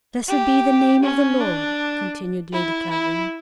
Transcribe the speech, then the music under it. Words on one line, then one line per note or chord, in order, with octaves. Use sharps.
"Blessed be the name of the Lord," continued Lady Clavering.
G4
C#4
D4
E4
E4